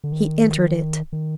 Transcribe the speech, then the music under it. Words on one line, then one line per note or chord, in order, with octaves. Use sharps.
He entered it.
D3
D#3
D#3